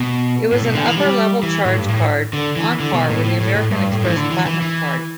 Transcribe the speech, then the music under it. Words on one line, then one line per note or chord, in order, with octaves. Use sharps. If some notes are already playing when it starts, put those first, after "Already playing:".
It was an upper-level charge card on par with the American Express Platinum Card.
Already playing: B2
A2
B2
D3
E3
G3
E3
A2
G2
A2
D3
E3
D3
B2
A2
A2
A2
A2
G2
A2
E3
D3
E3
E3
E3